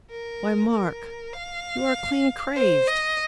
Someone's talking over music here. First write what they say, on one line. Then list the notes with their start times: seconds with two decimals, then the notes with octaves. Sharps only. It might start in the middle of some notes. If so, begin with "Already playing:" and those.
"Why, Mark, you are clean crazed!"
0.10 A#4
0.71 A#4
1.33 F5
2.56 C5
2.87 D#5